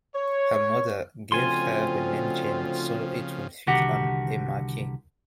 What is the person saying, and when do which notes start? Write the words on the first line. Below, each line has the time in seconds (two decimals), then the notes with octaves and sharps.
Her mother gave her the name Jane so it would fit on a marquee.
0.15 C#5
1.32 D2 C#3 F3 C4 F4 G#5 C6
3.67 C2 D3 D#3 F#4 G4 F#5